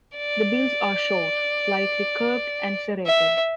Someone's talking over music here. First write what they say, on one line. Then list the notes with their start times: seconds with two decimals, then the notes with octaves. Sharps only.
The bills are short, slightly curved and serrated.
0.17 D5
3.07 E5